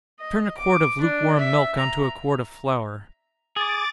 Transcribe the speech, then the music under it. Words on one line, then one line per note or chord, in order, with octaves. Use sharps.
Turn a quart of lukewarm milk on to a quart of flour.
D#5
D6
D4
E5
A#5
G#4 D6 A6